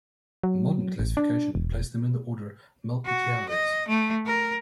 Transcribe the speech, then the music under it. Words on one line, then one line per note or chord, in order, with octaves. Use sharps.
Modern classifications place them in the order Malpighiales.
F#3
A1
D4
E1
F#4
D#5
A3
A#4